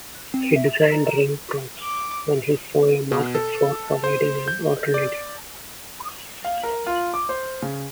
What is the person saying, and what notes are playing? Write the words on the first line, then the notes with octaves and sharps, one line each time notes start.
He designed Ring Pops when he saw a market for providing an alternative.
C4
E5
A#5
D6
B2
A4
C5
G6
D5
F5
A#4
F4
D6
C5
C#3